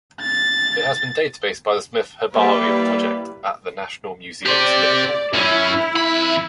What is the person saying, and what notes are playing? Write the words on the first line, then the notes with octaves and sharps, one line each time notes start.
It has been databased by the Smith Herbarium Project at the National Museums Liverpool.
A6
G3 A#3 E4 B4 D5
G4 C5 D5
F#2 C#4 E4
F2 B5